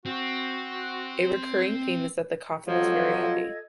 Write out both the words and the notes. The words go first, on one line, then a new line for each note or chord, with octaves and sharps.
A recurring theme is that the coffin was very heavy.
C4 F#4
F2 F3 F#3 F4 A4 D#5 G#6